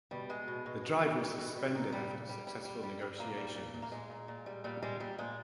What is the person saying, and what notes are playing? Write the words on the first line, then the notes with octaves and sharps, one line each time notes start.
The drive was suspended after successful negotiations.
B2 G3
B2 G#3
B2
B2
B2
B2
G3
B2
G3
A#2
G3
A#2
G3
G3
G3
G3
G3
A#2 A#3
G3
A#2
A#2
A#3
A#2 G#3
A#2
A#2
G3
A#2 G3
G3 G#3
A#2 G3
A#2 G#3